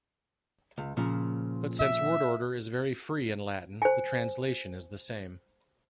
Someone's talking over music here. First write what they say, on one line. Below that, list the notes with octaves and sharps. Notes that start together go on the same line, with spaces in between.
But since word order is very free in Latin, the translation is the same.
C#2
A#2 C#3 F3
E5
C5 G#5